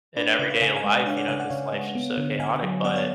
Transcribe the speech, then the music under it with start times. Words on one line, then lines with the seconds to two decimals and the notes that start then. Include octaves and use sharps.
in everyday life, you know, 'cause life's just so chaotic, but,
0.16 D4 B4 D5
0.27 B4 D5
0.39 C#3 B4 D5
0.50 C#5 F5
0.61 C#3 F5 G#5
0.76 F5 G#5
0.84 G#3
0.91 D5 F#5
1.06 D4 C#5 F5
1.17 D5 F#5
1.28 C#3 F5 G#5
1.40 D5 F#5
1.50 C#3 C#5 F5
1.73 G#3
1.95 B3
2.18 D3
2.39 D3 F5 G#5
2.62 F#3
2.85 B3 D5 F#5
2.96 C#5 F5